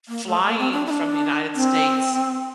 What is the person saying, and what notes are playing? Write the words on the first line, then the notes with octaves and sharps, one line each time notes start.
flying from the United States
A#3
A3
A#3
C4
D4
E4
D4
C4